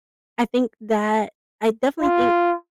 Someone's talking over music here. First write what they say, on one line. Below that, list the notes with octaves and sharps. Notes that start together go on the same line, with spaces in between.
I think that I definitely think
F4